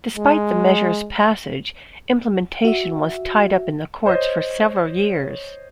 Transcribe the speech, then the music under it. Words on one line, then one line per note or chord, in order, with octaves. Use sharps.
Despite the measure's passage, implementation was tied up in the courts for several years.
G#3
F#4 E5
C5 C#5 D#5